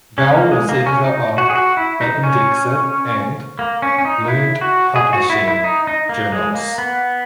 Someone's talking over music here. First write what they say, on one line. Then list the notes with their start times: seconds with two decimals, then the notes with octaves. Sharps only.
Bell was editor of "The Indexer" and "Learned Publishing" journals.
0.18 C#4
0.35 A#3
0.51 G#3
0.69 A#3
0.86 C#4
1.04 D#4
1.38 F#4
1.50 G#4
1.55 F#4
1.77 E4
2.01 D#4
2.23 C#4
3.59 A#3
3.82 C#4
3.98 C#4
4.05 D#4
4.28 E4
4.61 F#4
4.96 G#4
5.13 F#4
5.30 E4
5.48 E4
5.64 D#4
5.87 D#4
6.09 A#3
6.32 G#3
6.55 A#3
6.78 B3